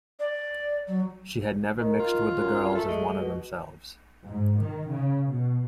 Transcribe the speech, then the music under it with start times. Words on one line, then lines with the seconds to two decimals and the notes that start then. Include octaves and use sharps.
She had never mixed with the girls as one of themselves.
0.20 D5
0.88 F#3
1.80 D#3
2.00 F4
2.38 F#2
2.75 A3 A4
2.88 G#3
3.20 B2
4.24 G#2
4.60 D#3
4.89 C#3
5.30 B2